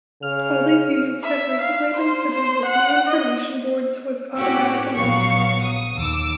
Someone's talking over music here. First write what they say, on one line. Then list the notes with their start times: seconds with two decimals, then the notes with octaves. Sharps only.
All these units have recently been fitted with new information boards with automatic announcements.
0.22 C#3 F6
1.23 E5
1.61 F5
1.97 C5
2.34 C5
2.66 F#5
3.08 D#5
4.37 A2 C#4 F#4 G4
4.97 A#1 F#3 B3 F5 C#6
5.63 D#6
5.97 D#2 D6 E6